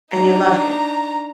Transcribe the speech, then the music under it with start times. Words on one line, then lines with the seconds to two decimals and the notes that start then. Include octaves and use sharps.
And you loved it?
0.12 D4 D#4 A#5